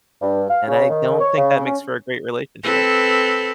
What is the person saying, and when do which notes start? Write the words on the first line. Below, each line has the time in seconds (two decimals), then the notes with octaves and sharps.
and I don't think that makes for a great relationship.
0.20 G2
0.49 F5
0.68 C#3
0.89 D#3
1.19 C#5
1.36 C#3
1.65 C#4
2.63 C4 A4 B4